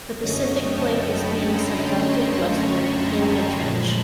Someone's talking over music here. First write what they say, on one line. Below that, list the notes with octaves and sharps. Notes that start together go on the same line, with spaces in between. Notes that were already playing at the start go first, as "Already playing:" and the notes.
The Pacific Plate is being subducted westward in the trench.
F#2 D3 F#3 A3 C#4 C#5 D#5
G5 A5
A5 B5
A#5 C6
B5 C#6
A5 B5
A#2 F3 G#3